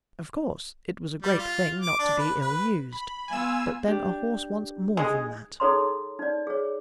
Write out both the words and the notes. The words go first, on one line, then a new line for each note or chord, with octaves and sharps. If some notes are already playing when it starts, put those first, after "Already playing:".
Of course, it was a great thing not to be ill-used, but then a horse wants more than that.
G3
F4
D6
D4
B4
B4
B5
B3 F4 G#5 E6
D4 G4
G#3 D#4 G#4
D#4 G#4 A4 C#5 A#5 C6
D#4 D5
G#4 C#5